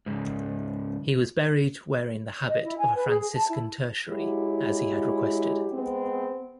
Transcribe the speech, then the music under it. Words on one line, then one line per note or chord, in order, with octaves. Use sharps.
He was buried wearing the habit of a Franciscan tertiary, as he had requested.
C#2 G#2
D#5
E4
G#5
B4
G#4
G#4
A5
E4
F#3 G#3 E4 G4
G#3 B3 C4